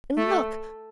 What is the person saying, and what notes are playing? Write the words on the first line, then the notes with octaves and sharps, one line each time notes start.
And look!
A3